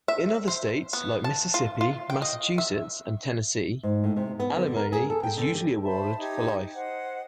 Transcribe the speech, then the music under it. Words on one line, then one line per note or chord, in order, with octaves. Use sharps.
In other states, like Mississippi, Massachusetts and Tennessee, alimony is usually awarded for life.
E5
C5
B3
A5
F4
F4
G5
D#5
E5
G#2
A2
C3
B3
D3
A#4
G#4
A4
G5
D3
G4
C5 E5 A5 B5
D#4 G4 G#6
C5 D#5 F#5